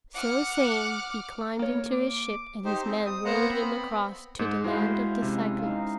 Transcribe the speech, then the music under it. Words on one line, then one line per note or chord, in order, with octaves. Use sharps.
So saying, he climbed into his ship, and his men rowed him across to the Land of the Cyclopes.
F#5 D6 F6
A#3 C#5
D6
D#4 G4 C5
C4
D#6
A#3 B3 C5 F#5 A#5
B3 C4 B5
G#2
G#3 E4 F#4 C5 F5
C3 G#3 C#4
D#4 F5